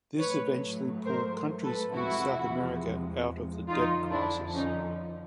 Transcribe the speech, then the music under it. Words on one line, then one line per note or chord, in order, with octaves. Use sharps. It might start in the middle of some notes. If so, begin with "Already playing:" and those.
This eventually pulled countries in South America out of the debt crisis.
A2 F#3 A3 B4 C#5
A#4 C5
A4 B4
E2 C3 F3 G#3 E4 F#4
F2 D3 F3 D#4 F4
D4 E4
C#4 D#4